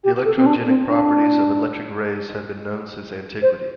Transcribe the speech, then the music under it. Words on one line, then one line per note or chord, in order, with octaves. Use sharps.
The electrogenic properties of electric rays have been known since antiquity.
G4
A4
C4
D4
C4
D4
C5